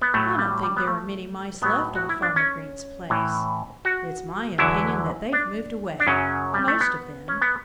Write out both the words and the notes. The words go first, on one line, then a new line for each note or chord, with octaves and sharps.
I don't think there are many Mice left on Farmer Green's place. It's my opinion that they've moved away--most of them.
B3
A2 F#3 A3
G3
G3
B3
A3
A2 F#3 B3
F#4
E4
D4
C#4
A2 E3
F#4
E2 D3 F#3 E4
D4
D4
F#2 C#3 F#3 C#4
G3
A3
B3
C#4
B3